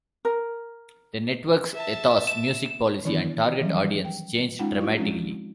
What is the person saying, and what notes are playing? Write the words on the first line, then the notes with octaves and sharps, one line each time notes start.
The network's ethos, music policy and target audience changed dramatically.
A#4
E5 A5
E7
D#3 E3 B3 D4 E4
D#3 E3 F#3 G3 C#4
G5
G#3 C#4 D#4 F4 F#5 G5
E4 F#4 F5 C#6
F3 G#3 C4 C#4